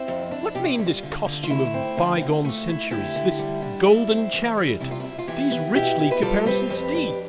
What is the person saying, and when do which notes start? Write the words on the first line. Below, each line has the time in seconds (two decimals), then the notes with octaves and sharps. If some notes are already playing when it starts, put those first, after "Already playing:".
What mean this costume of by-gone centuries--this golden chariot--these richly caparisoned steeds?
Already playing: C4 E4
0.08 F2
0.31 D4
0.55 C3 G4
0.65 F4
0.75 G3 E4
0.86 F4
1.03 D3
1.26 D3
1.43 F4
1.50 A3 E4
1.74 C4
1.97 D3 F4
2.21 D3
2.45 A3
2.68 E4
2.91 D3 E4 G4
3.16 D3
3.39 G3
3.62 D4
3.86 G2 E4
4.10 C4
4.33 E3
4.57 G3
4.80 C3 E4
4.91 F4
5.00 C3 E4
5.19 F4
5.27 E3 E4 G4
5.52 B3
5.75 B2 E4 G4
5.99 E4
6.11 B4
6.22 G3 F4 A4
6.46 C4 G4 B4
6.70 F2
6.94 D4